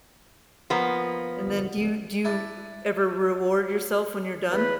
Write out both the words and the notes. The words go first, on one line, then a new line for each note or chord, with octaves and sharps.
and then do you do you ever reward yourself when you're done?
F3 A#3 B3
D4 E4
E2 B4